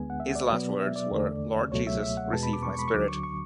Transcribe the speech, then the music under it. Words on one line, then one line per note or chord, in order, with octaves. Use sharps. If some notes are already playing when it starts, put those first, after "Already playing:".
His last words were "Lord Jesus, receive my spirit".
Already playing: D2 D3 G#3 B3 G#5
F#5
E5
D5
B2 F#3 B3
E5
D5
E2 D3 A3
C#2 B2 F#3 A3 C#5
E5
E5
F#5
E2 B2 G#3 B3 A5
B5
D6
C#6
C#6
B5
C#6
D2 D3 F#3 D6
C#6
C#6